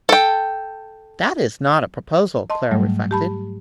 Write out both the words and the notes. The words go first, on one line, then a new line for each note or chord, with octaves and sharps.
"That is not a proposal," Clara reflected.
A4 G5
D#5 A5 C6
G#2 F#3 G3 A3
G4 A5 B5